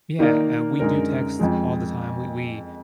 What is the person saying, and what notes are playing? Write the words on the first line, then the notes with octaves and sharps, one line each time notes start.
yeah, eh, we do text all the time we we
D#3 A#3 D#4 A#4 D5
F#2 D3 G#3 D#4 A#4
F2 F3 G#3